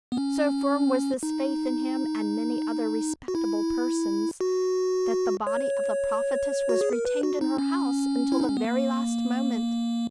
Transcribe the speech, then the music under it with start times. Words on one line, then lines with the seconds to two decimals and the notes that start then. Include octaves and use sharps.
So firm was this faith in him and many other respectable persons, that the body of the Prophetess was retained in her house until the very last moment.
0.12 B3
0.17 C#4
1.23 D#4
3.28 F#4
3.35 E4
4.41 F#4
5.47 C#5
6.69 F#4
6.81 G#4
6.93 A#4
7.05 B4
7.23 F#4
7.41 D#4
7.58 C#4
8.32 E4
8.41 D#4
8.48 C#4
8.57 B3
8.65 A#3